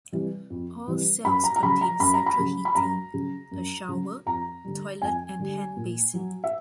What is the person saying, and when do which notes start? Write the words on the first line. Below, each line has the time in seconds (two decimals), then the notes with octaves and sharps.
All cells contain central heating, a shower, toilet and hand basin.
0.12 C3 E3 G3
0.50 F2
0.87 C3 E3 G3
1.25 F#2 B5
1.44 A#5
1.56 A#5
1.63 C#3 F#3 B5
1.81 A#5
2.00 F#2 B5
2.14 A#5
2.26 B5
2.38 C#3 F#3
2.65 B5
2.75 F#2 A#5
3.13 C#3 F#3
3.51 F#2
3.88 C#3 F#3
4.26 F2 A#5
4.64 D3 G3
5.02 F2 G#5
5.39 D3 G3
5.76 A#2
6.14 F#3
6.44 E5